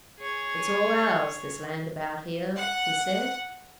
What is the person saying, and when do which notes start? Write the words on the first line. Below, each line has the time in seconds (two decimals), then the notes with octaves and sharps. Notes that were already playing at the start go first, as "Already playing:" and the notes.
"It's all ours, this land about here," he said.
0.19 G#4 C#5
2.58 F#5